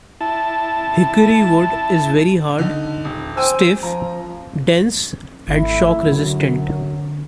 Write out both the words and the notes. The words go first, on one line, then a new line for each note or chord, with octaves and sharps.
Hickory wood is very hard, stiff, dense and shock resistant.
E4 A5
D3 D#4
D#1
C5 G5 G#5 E6
F3 A#5
G#1 A3 E4
F#2 D3 F#3